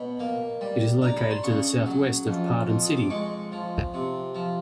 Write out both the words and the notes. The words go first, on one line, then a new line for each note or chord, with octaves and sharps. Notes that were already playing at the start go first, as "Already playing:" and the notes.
It is located to the southwest of Paden City.
Already playing: B2 B5
A#3
G3
D4 A#5
B5
C6
C#3 C#6
F#3
F2
F2
D#6
D6
G#3 C#6
F3
C3
F3